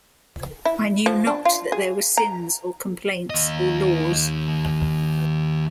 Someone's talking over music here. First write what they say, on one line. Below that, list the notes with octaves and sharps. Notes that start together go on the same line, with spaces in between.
I knew not that there were sins or complaints or laws.
E4
F3
D4
F4
G#4
A#5
D#2 D#5